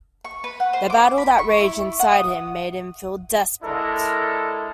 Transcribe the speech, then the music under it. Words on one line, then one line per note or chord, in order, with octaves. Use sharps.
The battle that raged inside him made him feel desperate.
C#6
B4
F#5
C5
D6
B5
C#6
E4
F#5
D#6
G#3 D4 E4 A4 A#4